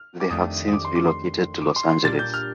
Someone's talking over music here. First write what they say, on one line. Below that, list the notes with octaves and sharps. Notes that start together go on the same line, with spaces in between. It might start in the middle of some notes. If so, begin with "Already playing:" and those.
They have since relocated to Los Angeles.
Already playing: F6
D6
F2 D#3 A3 D4 G4 D#6
D#6
D6
C6
D6
C6
D6
C6
C6
A#2 G3 D4 G4 A#4 A6
G6
F6